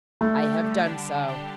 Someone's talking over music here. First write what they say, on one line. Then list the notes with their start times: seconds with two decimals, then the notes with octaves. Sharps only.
I have done so.
0.21 G3 A3
0.42 G4
0.64 D3
0.86 D4
1.06 G3
1.28 G4